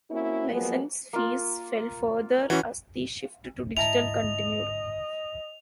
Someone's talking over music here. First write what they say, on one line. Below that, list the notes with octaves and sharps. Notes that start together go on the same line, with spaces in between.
Licence fees fell further as the shift to digital continued.
A#3 C4 C#4 E4 F#4
F3 F#3 G#3 A#3 B3
A#3 F4
E3 C#4 F#4 D6
G#2 D3 E4 D#5 A5 A#5 F7